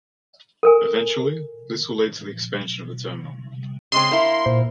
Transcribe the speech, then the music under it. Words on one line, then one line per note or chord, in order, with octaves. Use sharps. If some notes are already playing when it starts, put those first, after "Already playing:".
Eventually, this will lead to the expansion of the terminal.
A4 A#4 G#5
C#3 G#3 C4 C6
A#3 E4
A#2 C5